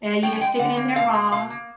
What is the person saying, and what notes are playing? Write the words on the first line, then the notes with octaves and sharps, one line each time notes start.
Eh, you just stick it in there raw
A2 G5
G#5
G#3 G5
D3 F#5
A#3
B2 F5
A#3
B2 F5
A#3